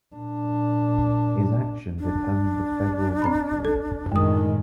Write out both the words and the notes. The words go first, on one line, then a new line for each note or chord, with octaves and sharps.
His action determined the federal victory.
A#2 D4
D4
C4 A#5 B5
A4
F#2 A2 D#3 G#3 D#6